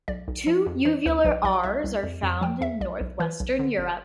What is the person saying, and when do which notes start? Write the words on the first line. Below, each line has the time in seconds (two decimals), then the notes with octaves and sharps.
Two uvular Rs are found in north-western Europe.
0.08 B1 D5
0.28 B1
0.47 F3
0.67 F2
0.85 E3 C5
1.06 D2 B4
1.25 B1 B4
1.44 B1 D5
1.63 C2 E5
1.84 C2
2.03 F2
2.23 F2
2.41 F3 G5
2.61 E2 E5
2.80 B1 D5
3.01 B1
3.20 E3 B4
3.40 B1
3.59 D3
3.78 G1